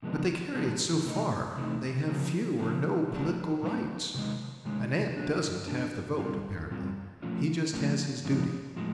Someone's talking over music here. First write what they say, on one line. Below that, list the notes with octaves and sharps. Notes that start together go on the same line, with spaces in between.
But they carry it so far, they have few or no political rights. An ant doesn't have the vote, apparently: he just has his duties.
C3 F3 G#3 B3 D4
C3 F3 G#3 B3 D4
C3 E3 A3 C4 D#4
C3 E3 A3 C4 D#4
C#3 F3 A#3
C#3 F3 A#3
A#2 F#3 A3 D4
A#2 F#3 A3 D4
C3 D#3 G#3
C3 D#3 G#3
F#3 A#3 D4
F#3 A#3 D4
A#2 G3 C4 F4
A#2 G3 C4 F4
A#2 F3 A3 C#4 F4
A#2 F3 A3 C#4 F4
A2 F3 G#3 C4 D#4
A2 F3 G#3